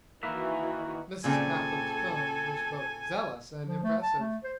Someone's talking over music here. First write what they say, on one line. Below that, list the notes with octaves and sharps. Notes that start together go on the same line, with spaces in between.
Mrs. Caplin's tone was both zealous and impressive.
D#3 E3 A#3 F#4 B4 E5
A#2 C#3 C4 A4 G#5
F3
A3
A5
A3
C5